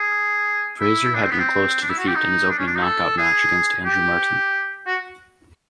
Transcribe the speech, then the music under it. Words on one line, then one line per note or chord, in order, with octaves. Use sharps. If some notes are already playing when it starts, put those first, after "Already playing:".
Fraser had been close to defeat in his opening knockout match against Andrew Martin.
Already playing: G#4
E4
D4
C4
B3
C4
D4
E4
F#4
G4
D#4
D4
C#4
D4
D#4
A4
G#4
G4
F#4